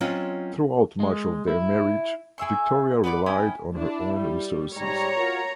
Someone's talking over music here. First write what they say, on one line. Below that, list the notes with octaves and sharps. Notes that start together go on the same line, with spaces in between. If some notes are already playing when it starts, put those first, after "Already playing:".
Throughout much of their marriage, Victoria relied on her own resources.
F#3 C4 C#4 F4 C#5 D#5
G#3
E4
E4 G#4 E5 C#6
B3 B4 D5 D6
C#4 E4 D#5 G5
D4 E4
G3
G#2 G3 C#5 A#5
F4 F#4 A#4